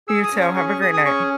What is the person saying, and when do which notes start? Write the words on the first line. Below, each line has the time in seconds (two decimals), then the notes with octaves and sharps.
You, too, have a great night.
0.08 G#4 E6
0.24 D#6
0.33 C#4
0.40 C#6
0.56 G#4 C#6
0.69 C#6
0.81 G#4 D#6
0.93 D#6
1.05 C#4 C#6